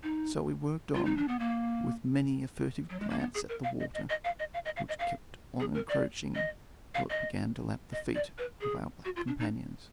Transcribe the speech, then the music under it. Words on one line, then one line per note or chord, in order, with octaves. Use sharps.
So we worked on, with many a furtive glance at the water, which kept on encroaching till it began to lap the feet of our black companions.
D#4
F4
D#4
D4
B3
A#3
F#3
G#3
A#3
B3
G#4
A#4
F5
D#5
D#5
D#5
F5
D#5
F5
D#5
F5
D#5
F5
G#4
A#4
D5
D#5
F5
D#5
D#5
D5
B4
G#4
F#4
F4
D4
D#4